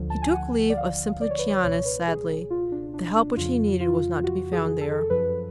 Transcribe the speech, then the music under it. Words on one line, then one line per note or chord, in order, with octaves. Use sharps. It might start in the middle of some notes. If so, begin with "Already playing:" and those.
He took leave of Simplicianus sadly; the help which he needed was not to be found there.
Already playing: D2 D3 F3
A5
G#5
F#5
D5
F5
D5
C#5
B4
C#5
C#2 B2 C#5
B4
G#4
F4
D4
D4
D4
F2 C#3 F3 F4
F4
F#4
G#4
A4
F#2 F3 B4